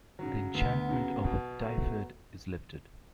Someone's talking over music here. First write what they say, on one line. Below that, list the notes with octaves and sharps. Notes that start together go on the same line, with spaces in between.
The enchantement over Dyfed is lifted.
C#3 F#3
D2 B3
C#3 F#3
B2
F#3 A3